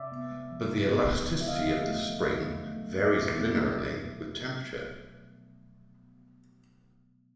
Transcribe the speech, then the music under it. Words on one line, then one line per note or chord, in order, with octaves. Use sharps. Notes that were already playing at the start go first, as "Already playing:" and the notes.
But the elasticity of the spring varies linearly with temperature.
Already playing: C3 D5 E5
B3
G#3
F3
C3
B3
G#3
F3
E5
D3 D#5 F5
D3
A3
F#3
D3
D3
A3
F#3
B2 D5 E5
B2
B3
F#3
B2
B2